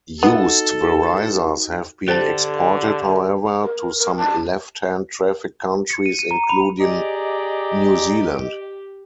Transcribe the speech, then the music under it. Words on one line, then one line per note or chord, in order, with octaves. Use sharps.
Used Verisas have been exported however, to some left-hand-traffic countries including New Zealand.
B3 D#4 F#4 A4
D3 G4 A4 C5 A5
A#4
A#4
A5
C#7
D#7
D#7
A#5
B5
G4 G#4 D5 D#5 A#5